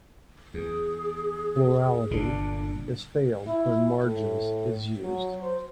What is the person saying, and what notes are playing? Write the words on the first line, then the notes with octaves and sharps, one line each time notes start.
Plurality is failed when "margins" is used.
E2 G#4
G1 A#2 D3 D4
E4
A2
F#3
C5